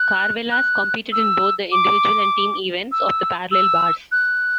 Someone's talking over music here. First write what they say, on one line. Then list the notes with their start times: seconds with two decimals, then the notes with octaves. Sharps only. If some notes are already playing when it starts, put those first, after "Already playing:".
Karvelas competed in both the individual and team events of the parallel bars.
Already playing: F#6
0.51 F#6
1.12 E6
1.72 D6
2.92 E6
3.52 E6
4.12 F#6